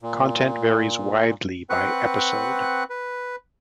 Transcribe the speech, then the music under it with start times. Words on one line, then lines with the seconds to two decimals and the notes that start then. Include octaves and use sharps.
Content varies widely by episode.
0.02 A#2
1.70 C4 B4 F#5 C#6 F#6
2.90 B4